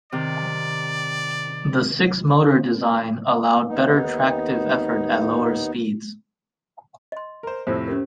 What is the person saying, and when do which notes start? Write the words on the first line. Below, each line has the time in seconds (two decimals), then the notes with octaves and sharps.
The six-motor design allowed better tractive effort at lower speeds.
0.12 C3 D#3 D5
3.68 D#2 B3 D#4
7.12 D#5 C6
7.43 A#4 C5
7.67 F2 A2 C3 G4 C5
7.88 C#4 G4 A#4